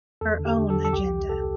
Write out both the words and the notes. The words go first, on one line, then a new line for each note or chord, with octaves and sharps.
Her own agenda.
E2 A4
D3
G4
D3
A4
E2
A4
C2 G4
C2
C3 A4